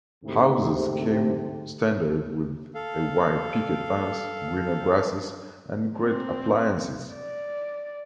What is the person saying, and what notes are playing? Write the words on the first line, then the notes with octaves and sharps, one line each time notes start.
Houses came standard with a white picket fence, greener grasses, and great appliances.
D2 G#2 C3
A4 F5
C4
D5